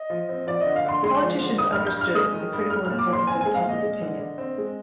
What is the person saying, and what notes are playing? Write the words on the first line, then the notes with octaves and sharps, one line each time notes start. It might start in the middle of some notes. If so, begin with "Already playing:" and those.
Politicians understood the critical importance of public opinion.
Already playing: D#5
F3
C4
F3 D5
D3 D#5
F5
D3 C6
G#3 C6
F3
D3
D#3 D#6
G2 F6
G6
G2 F6
G#3 D#6
D#3
G2
G#3 F6
F6
A#2
D6
A#2 C6
C4 G#5
G#3 G#5
F5
A#2 D#5
G#3
D3
D3
C4
G#3